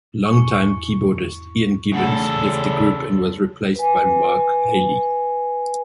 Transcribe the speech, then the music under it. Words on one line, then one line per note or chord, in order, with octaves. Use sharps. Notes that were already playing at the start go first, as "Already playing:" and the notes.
Longtime keyboardist Ian Gibbons left the group and was replaced by Mark Haley.
E2 C#6
C#3 A3 A4 F#5
B4 G#5